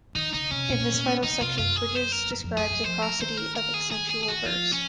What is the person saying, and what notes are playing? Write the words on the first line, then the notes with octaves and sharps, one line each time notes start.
In this final section, Bridges describes a prosody of accentual verse.
D#3 D#4
C#3 D#4
C3 C#4
A#2
C#3 D#4
C3 F4
F#2 F4
G#4
C5
A#4
F#2
F2
F2 G#4
F#2
F3 C5
A#4
D#3 C5
A#4
A#4
G#4
G#4
G#4
G#4
F#4
F3 F4
C#4